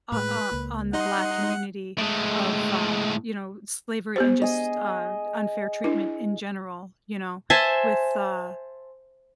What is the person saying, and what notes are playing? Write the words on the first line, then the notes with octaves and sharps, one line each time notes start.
o o on the black community- of, uh, you know, slavery and just, uh, unfair treatment in general, you know, with, uh,
A2 G#3 B4
C#2 A#3
G3 D#4 D#5 F#5 C6
A2 G#3
B3 G4 C5
G#4 D#5
D4 E4
C5 E5 G#5 A5